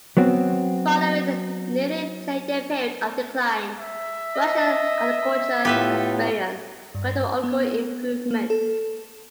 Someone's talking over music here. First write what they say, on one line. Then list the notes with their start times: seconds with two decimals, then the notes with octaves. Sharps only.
Following a nearly ten-year period of decline, Russian agriculture has experienced gradual ongoing improvement.
0.17 F#3 B3 C4 F#4
3.78 E5
4.35 D#5
5.65 A2 B3 F4 G4 A4 B4 E5
6.95 G2
7.44 B3
8.31 A#3
8.50 A4